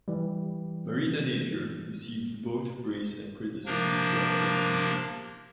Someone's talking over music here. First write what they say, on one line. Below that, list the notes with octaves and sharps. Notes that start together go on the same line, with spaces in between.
Marita Napier received both praise and criticism throughout her career.
E3 G3
C3 F3 A#3 D4 A#4